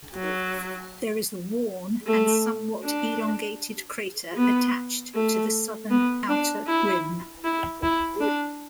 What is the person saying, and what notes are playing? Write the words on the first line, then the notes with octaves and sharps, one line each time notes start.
There is a worn and somewhat elongated crater attached to the southern outer rim.
F#3
A3
D4
B3
A3
B3
D4
E4
E4
E4
D4